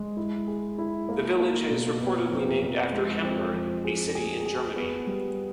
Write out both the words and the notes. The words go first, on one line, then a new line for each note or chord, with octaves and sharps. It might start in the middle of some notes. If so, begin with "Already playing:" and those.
The village is reportedly named after Hamburg, a city in Germany.
Already playing: G#3
E4
G#4
E4
A#3
A#3
B2
B3
F2
F2
G#3
F2
F2
G#4
G#4
G#4
B3
G3